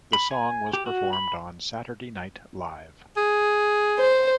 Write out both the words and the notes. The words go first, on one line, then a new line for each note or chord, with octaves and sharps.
The song was performed on "Saturday Night Live".
B5
G#5
G4
F#4
B5
G#4
C5